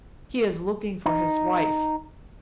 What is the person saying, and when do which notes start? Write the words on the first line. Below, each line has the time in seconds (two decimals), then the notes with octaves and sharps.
He is looking for his wife.
1.06 D#4